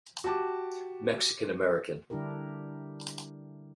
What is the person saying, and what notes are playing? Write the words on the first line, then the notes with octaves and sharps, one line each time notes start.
Mexican American.
F#4 G4 A5 D6
D3 G3 D4 E4 G4 A#4